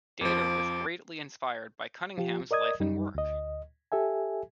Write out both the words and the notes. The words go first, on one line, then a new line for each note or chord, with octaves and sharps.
Dater was greatly inspired by Cunningham's life and work.
F2 F3 D6
F3 F4 G4
A#4 D5 D#5 D#6 G#6
F#2 G3 D#4
D2 D#5
G4 A4 E5 G#5